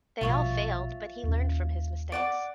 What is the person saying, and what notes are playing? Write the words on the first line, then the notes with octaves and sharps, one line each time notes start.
They all failed, but he learned from his mistakes.
A#1 B2 G3 F4 C#5 E5
D#2 C#4
D5 F#5 D6